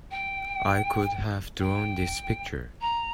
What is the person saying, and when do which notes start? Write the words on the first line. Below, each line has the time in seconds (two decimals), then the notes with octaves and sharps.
I could have drawn this picture!
0.11 G5
1.60 G5
2.80 A#5